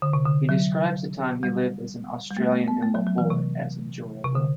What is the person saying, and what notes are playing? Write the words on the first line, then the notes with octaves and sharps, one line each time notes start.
He describes the time he lived as an Australian in Lahore as enjoyable.
D3
C3
D3
F#3
G3
G3
A3
A3
B3
A3
F#3
F#3
E3
C3
C3
D3